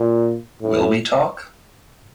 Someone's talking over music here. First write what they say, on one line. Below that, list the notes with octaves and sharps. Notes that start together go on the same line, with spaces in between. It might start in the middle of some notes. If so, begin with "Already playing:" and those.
Will We Talk?
Already playing: A#2
A2